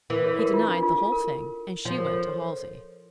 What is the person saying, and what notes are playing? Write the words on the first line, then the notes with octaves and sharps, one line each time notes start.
He denied the whole thing, and she went to Halsey.
E3 A#4
A4 C#5
A#4
F4
D4
F4
A4
A#4
F3 C#5
A#4
A4 C#5